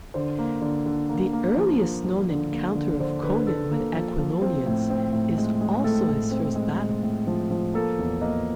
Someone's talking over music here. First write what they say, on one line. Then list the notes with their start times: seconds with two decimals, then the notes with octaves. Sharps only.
The earliest known encounter of Conan with Aquilonians is also his first battle.
0.14 D3 C5
0.39 A#3
0.62 D3
0.86 D3
1.09 A#3
1.33 A#3
1.57 F3
1.81 A#3
2.04 F3
2.29 D3
2.52 A#3
2.75 D3
3.00 D3 C5
3.23 D3 B4
3.47 D3 A4
3.71 A#3 A4
3.94 F3 A4
4.18 F3
4.42 C4
4.66 A2
4.90 C4
5.13 A2
5.37 G#3
5.61 G#3
5.84 A2 A4
6.08 A2
6.31 C4
6.55 G#3
6.80 G#3
7.03 A2
7.27 F3
7.51 F3
7.74 A#3 A4
7.99 E2
8.21 A#3 D#5